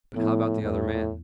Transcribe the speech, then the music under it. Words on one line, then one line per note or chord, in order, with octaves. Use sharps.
"But how about the other man?"
A2 F3 B3 E4
E2 A2